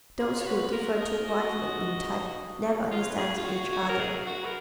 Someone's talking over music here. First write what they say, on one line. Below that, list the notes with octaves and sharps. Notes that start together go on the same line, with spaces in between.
Those who differ too widely in type never understand each other.
F4 G#4
F4 C#5
F#4 B4
F4 A#4
A#4 D#5
F#4
F4 D#5
C#5
B4
G#4 C#5
F4
F#4
F#4
A#4
G#4
F#4
A#4 B4